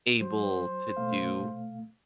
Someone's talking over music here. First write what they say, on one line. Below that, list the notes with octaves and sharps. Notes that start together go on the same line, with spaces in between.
able to do
F#3 C5
B2 A3 F5